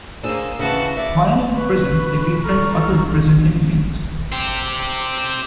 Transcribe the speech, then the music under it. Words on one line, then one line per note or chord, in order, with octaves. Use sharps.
While in prison they befriend other prison inmates.
A#3 D4 G#4 C5 E6
C#3 E3 F#4 A5
D5 E5
B4 B5 C#6
A4 A#5 C#6 F6
C4 G4